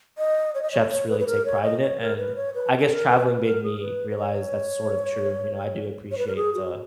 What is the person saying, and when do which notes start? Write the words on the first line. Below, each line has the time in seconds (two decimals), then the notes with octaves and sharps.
Chefs really take pride in it, and, I guess traveling made me realize that's sort of true, you know, I do appreciate the
0.18 D#5
0.55 C#5
0.63 D#5
0.71 C#5
0.91 C#5
1.09 B4
1.20 B4
1.27 A#4
1.45 C#5
1.63 D#5
1.81 C#5
2.00 A#4
2.18 B4
2.36 C#5
2.54 B4
2.86 G#4
2.91 A#4
3.09 B4
3.27 B4
3.45 A#4
3.63 G#4
3.81 B4
4.10 B4
4.18 C#5
6.11 C#5
6.18 B4
6.28 A#4
6.36 G#4
6.54 F#4